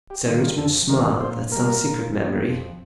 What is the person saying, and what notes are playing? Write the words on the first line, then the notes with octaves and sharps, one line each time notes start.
Sir Richmond smiled at some secret memory.
G4
D#3 G3 A#3 D#4
F4
F2 A4
D#3 G3 A#3 A#4
A#2 C5
G3 A#3 A#4
A#2
G3 A#3
F2